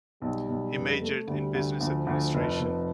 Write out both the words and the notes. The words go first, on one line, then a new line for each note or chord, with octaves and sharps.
He majored in business administration.
B1 G3
B1
F1
A3
D2 G3
D2
D2 F3
D2
F1
F1